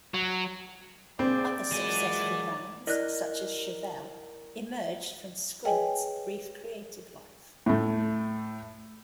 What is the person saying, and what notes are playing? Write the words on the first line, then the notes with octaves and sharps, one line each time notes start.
Other successful bands, such as Chevelle, emerged from Squint's brief creative life.
F#3
A#2 C4 G#4 C5 D5
A#2 E3 F#3 G#3 G#5
E4 A#4 D5 D#5 F#6
G#4 B4 C#5 D#5 G5 G#5
A2 A3